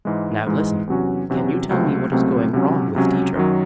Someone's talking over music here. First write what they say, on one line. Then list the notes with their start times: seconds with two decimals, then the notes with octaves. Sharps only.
Now listen; Can you tell me what is going wrong with Dietrich?
0.05 G#2 E3 G#3
0.47 G#2 E3 G#3
0.87 E2 C3 F#3 C#4 F#4
1.30 E2 C3 F#3 C#4 F#4
1.70 C#2 C3 F#3 A3 C4
2.11 C#2 C3 F#3 A3 C4
2.53 C#2 C3 F#3 C#4
2.95 C#2 C3 F#3 C#4
3.35 F#2 D#3 F#3